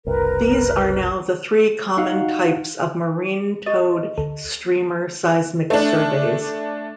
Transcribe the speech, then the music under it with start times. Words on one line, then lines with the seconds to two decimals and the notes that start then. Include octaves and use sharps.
These are now the three common types of marine towed streamer seismic surveys.
0.07 F#1 C2 A#4 B4
1.97 D#4 F#4 F5 F#5
3.66 G4 D#5 D#6
4.18 D2 A4
5.70 A3 D4